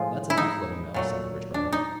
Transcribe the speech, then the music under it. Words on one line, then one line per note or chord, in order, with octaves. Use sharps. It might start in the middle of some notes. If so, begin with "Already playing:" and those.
"That's enough, Little Mill," said the Rich Brother.
Already playing: A2 F3 G#3 F4
E4
D#4
A#2 F#3 A3
D4
D#4